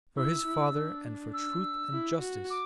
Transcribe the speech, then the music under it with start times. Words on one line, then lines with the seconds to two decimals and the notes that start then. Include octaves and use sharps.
For his father and for truth and justice.
0.17 E4 E6
0.46 E4
0.75 D4
1.34 E6
1.92 E4
2.21 F#4
2.50 D6